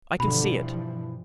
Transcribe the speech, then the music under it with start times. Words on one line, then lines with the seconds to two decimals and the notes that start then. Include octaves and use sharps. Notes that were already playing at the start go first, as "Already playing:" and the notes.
I can see it.
0.20 G2 B2 D3 E3 F3 B5
0.54 E4